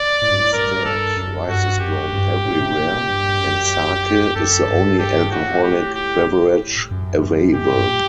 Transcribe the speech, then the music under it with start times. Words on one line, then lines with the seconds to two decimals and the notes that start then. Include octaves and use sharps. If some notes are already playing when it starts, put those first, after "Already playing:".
Instead, rice is grown everywhere, and sake is the only alcoholic beverage available.
Already playing: D5
0.22 A2
0.30 G2
0.39 A2
0.53 G2 A#4
0.84 G2 A4
1.17 F#2
1.49 G2 F#4
1.80 F#2 G4
2.13 G2
2.45 A2
2.61 C3
2.76 A#2
2.93 A#2
3.09 G2
3.40 F#2
4.35 F#2 A4
4.67 G2
4.99 G2 G4
5.21 G2
5.31 A2 F#4
5.63 G4
5.95 G4
6.91 F#2
7.22 F#2
7.54 F#2 G4
7.71 G2
7.87 A#2